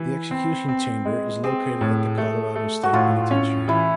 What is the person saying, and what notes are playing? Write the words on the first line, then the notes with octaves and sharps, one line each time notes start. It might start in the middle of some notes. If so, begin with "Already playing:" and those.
The execution chamber is located at the Colorado State Penitentiary.
Already playing: E3 B4
C4
C4
G#3
C4 G#4
A2
A3
A3
F#4
A2 F4
C#4
E3 E4